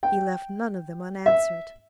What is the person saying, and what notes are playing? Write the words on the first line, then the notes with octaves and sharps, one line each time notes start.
He left none of them unanswered.
G5
E5